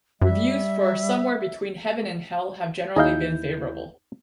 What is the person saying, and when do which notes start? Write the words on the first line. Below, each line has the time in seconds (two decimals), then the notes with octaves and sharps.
Reviews for "Somewhere Between Heaven and Hell" have generally been favorable.
0.22 F#2 G3 E5
2.96 D#2 D#4 E4 G#4 D#5 F5 G6